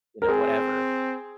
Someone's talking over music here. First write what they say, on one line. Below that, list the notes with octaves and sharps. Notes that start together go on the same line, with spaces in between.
you know, whatever.
A#4
C4 G#4